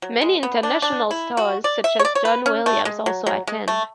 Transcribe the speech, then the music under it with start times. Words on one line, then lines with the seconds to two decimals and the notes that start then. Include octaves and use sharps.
Many international stars, such as John Williams, also attend.
0.02 F#3
0.22 G#3
0.43 B3
0.63 D4
0.82 D4
1.11 E4
1.37 F#4
1.64 D5
1.84 E5
1.99 C#5
2.05 D5
2.15 C#5
2.25 B4
2.46 C#4
2.66 A3
2.85 G#3
3.06 F#3
3.27 F#3
3.47 G#3
3.68 A3